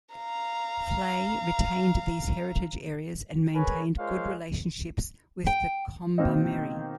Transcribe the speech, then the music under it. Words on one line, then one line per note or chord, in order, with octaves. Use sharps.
Fleay retained these heritage areas, and maintained good relationships with the Kombumerri.
F5 A#5
G#4 A#4 B4 C#5 G#5
G#3 F4 A#4 C5 C#5 F5
G5
B2 D#3 A#3 C4 D#4